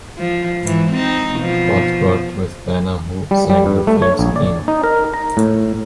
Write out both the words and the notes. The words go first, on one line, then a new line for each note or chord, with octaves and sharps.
Budd worked with Dana who sang the film's theme.
F3
G#2 E3
C4 D#4
B2 F3
G3
G3
G2
A3
C#5
A#1
D5
D#4
A#4
A#5
A2